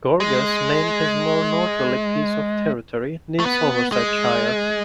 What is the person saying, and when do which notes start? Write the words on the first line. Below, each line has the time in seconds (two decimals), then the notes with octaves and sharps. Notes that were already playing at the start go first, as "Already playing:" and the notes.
Gorges named his more northerly piece of territory New Somersetshire.
0.20 G#3
3.40 A3
3.45 B3
3.92 G#3